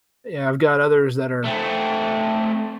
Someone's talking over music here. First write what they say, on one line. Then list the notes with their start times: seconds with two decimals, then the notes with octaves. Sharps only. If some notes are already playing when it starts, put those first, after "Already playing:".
yeah, I've got others that are
1.44 A3 C4